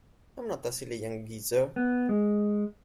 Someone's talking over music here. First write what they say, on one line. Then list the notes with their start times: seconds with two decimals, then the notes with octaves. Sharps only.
I'm not a silly young geezer.
1.76 B3
2.09 G#3